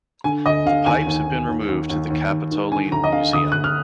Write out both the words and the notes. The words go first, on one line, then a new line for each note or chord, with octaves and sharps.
The pipes have been removed to the Capitoline Museum.
D3 G#5
D2 D#5
D3 F5
D#2 G#5
D#2
D#2
D#2
D#2
D#2
D#2
D#2
D#3
D3 G#5
D2 A#5
D#5
D3 F5
D2 D#6
D2 F#6
F6